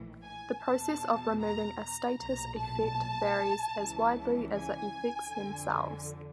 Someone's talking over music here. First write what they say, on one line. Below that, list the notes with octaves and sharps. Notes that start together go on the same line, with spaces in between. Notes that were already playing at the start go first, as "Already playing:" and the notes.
The process of removing a status effect varies as widely as the effects themselves.
Already playing: A#1 A2 E3
G#5
E2 B2 A5
A#5
A#5
B1 A#2 A#5
A5
C#2 C#3 E3
G#5
F2 D3